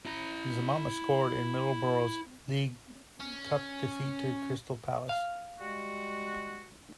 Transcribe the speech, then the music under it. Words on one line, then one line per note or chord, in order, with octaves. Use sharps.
Zemmama scored in Middlesbrough's League Cup defeat to Crystal Palace.
E4 A#5
C#4
F5
G3 G#3 F#4